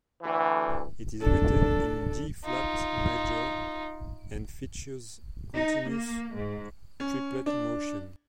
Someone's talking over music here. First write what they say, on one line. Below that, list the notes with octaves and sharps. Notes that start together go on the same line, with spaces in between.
It is written in D-flat major, and features continuous triplet motion.
D2 E3
D4 A4
D#4 F4
D#4
A#3
G#2
C#4
D4